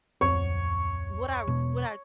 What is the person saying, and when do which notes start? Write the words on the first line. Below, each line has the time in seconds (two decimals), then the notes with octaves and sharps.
what I what I
0.21 D1 F2 C4 C#5
1.47 E1 B2